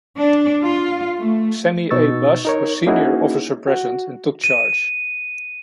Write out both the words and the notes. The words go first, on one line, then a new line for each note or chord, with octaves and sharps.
Sammy A. Buss, was senior officer present and took charge.
D4
F4
A3
B2 D#4 C#6 E6 A6
D#4 A#4 C#5
A#3 C#4 D#4 E4 F#4 G#4
F#4
D#7